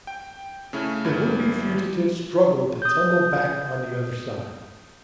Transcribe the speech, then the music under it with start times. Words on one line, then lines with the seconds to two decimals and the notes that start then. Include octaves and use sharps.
The would-be fugitive struggled to tumble back on the other side.
0.07 G5
0.73 C#3 A3 C#4 E4
1.04 G1 E3 E4 B5 F6
2.82 D#6 G6